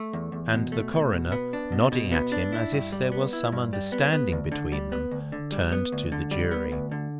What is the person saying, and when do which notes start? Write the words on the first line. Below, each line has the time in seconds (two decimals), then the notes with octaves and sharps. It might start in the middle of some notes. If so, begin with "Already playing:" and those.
And the coroner, nodding at him as if there was some understanding between them, turned to the jury.
Already playing: A3
0.13 E2
0.32 E2
0.53 B2
0.72 A3
0.92 B2
1.13 B2
1.32 B3
1.53 D4
1.72 B2
1.92 B2
2.12 B3
2.32 D4
2.52 E4
2.73 G2
2.92 G3
3.12 B3
3.33 E4
3.52 G2
3.73 G3
3.92 B3
4.13 B3
4.32 D2
4.52 D3
4.72 G3
4.92 B3
5.12 D2
5.32 D3
5.52 G3
5.72 B3
5.92 D2
6.12 D3
6.31 G3
6.51 B3
6.72 D2
6.92 D3